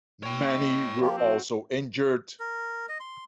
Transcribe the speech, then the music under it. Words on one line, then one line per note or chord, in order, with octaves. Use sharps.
Many were also injured.
C#5 G5 C#6
D#5
F3 A#3 G4 A#4
F3 C4 F#4
A#4
D#5
C6